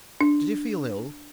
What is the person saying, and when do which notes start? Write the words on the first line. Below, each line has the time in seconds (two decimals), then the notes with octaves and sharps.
"Did you feel ill?"
0.21 D4